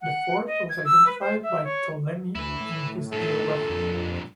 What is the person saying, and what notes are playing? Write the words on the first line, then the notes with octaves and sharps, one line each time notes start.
The fort was identified by Ptolemy in his Geography.
F#5
D#5
G#6
E6
B4
C5
E5
C#5
D2 E4 B4
A2
G2 A#2 A4
F2